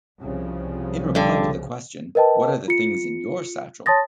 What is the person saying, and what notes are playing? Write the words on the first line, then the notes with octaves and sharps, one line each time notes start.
In reply to the question, What are the things in your satchel?
C2 C#3 F3
G2 D3
A#4 B4 D#5 G5 A5
F4 C#7
C#5 A5 C6 D#6 A6 A#6